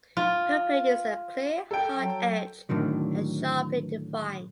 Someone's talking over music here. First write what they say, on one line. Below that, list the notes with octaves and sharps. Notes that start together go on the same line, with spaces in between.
Her paintings are clear, hard-edged and sharply-defined.
F4
A4 G5
F#3
A2 D3 D#3 F#3